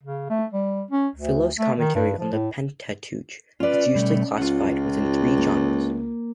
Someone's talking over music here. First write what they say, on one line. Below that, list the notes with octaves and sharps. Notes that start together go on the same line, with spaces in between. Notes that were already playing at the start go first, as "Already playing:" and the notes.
Philo's commentary on the Pentateuch is usually classified within three genres.
C#3
A3
G3
C#4
D2
A3
D#3
G2
F3
A2
C#4 F4 B4 D5
B2 G3 A3
C#2 F4 F#5
A#3